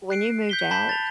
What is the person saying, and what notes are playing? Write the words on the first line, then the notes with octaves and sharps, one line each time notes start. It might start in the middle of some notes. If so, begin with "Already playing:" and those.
when you moved out
F#6 C7 D7
G6 B6 G7
A5 B5 G6 B6
A6 F7